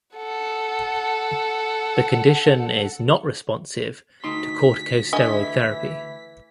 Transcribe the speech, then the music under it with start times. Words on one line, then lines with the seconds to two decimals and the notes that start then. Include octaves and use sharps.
The condition is not responsive to corticosteroid therapy.
0.17 A4 F#5
4.24 D2 D#4 C6 B6
5.13 D3 E3 D#5 G#5